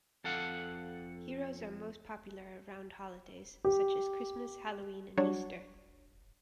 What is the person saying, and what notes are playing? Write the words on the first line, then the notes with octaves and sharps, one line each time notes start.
Heroes are most popular around holidays, such as Christmas, Halloween and Easter.
F2 A4 F5 F#5
G4
F#3 G3 D4 F#4 C#5